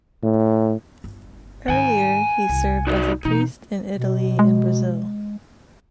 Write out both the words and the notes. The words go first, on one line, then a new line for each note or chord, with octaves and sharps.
Earlier, he served as a priest in Italy and Brazil.
A2
G1
G#2 D#3 F#5 G#5
C2
D#4 F#4 D5
B2 E3 D#4
B2
G#3